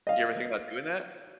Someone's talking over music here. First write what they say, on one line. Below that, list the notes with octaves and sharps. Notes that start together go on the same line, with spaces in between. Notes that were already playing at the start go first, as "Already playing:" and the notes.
You ever think about doing that?
D#5 F5